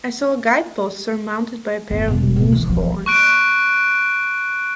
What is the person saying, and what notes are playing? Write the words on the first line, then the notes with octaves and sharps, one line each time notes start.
I saw a guidepost surmounted by a pair of moose-horns.
G1
E1
B2
E3
F3
C#6 F#6 D7